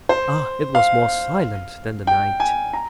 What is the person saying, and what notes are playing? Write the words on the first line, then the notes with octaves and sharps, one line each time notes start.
Ah! it was more silent than the night.
C5
F5
G5
G#5
A#5